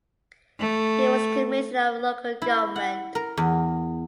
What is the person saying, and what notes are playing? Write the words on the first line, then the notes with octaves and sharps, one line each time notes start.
He was Commissioner of Local government.
A3
E4
F#5
A#4
E2